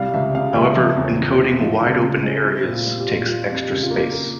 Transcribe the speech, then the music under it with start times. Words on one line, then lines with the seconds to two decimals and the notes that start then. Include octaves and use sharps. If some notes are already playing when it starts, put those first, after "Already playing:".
However, encoding wide-open areas takes extra space.
Already playing: C2 G3 F5
0.14 C#2 E5
0.34 C#3 F5
0.56 C#2 E5
0.76 F3 E5
0.97 E2
1.04 C#5
1.18 C#3
1.32 C#5
1.40 C4
1.60 F3 F4
1.81 C#2
2.03 C#3
2.23 G#3
2.44 C4 E4
2.64 A#2
2.72 F4
2.86 G3
3.00 G4
3.07 A#2
3.27 G3 F4
3.49 F2
3.56 G4
3.69 C#3
3.83 F4
3.90 A#3
4.12 A#3